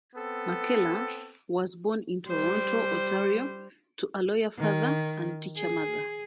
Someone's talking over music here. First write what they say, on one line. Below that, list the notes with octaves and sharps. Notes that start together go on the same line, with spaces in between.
McKellar was born in Toronto, Ontario to a lawyer father and teacher mother.
B3 C4 A4
G3 C5
D#3
G#4